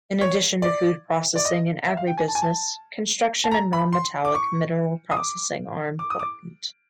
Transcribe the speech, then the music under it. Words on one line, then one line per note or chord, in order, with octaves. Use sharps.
In addition to food processing and agribusiness, construction and non-metallic mineral processing are important.
C#5
D5
D5
D#5
E5
F5
G5
G#5
A5
G#5
A5
A5
A#5
B5
C6
D6
C#6
D#6
D6
D6
D#6
D6